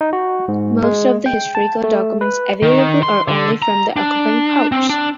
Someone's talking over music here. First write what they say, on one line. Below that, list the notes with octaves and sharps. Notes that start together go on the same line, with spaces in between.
Most of the historical documents available are only from the occupying powers.
D#4
F#4
G#2
G#3
G5
A5
A3
B4
D#3
C6
D3
A#5
D4
C4
D4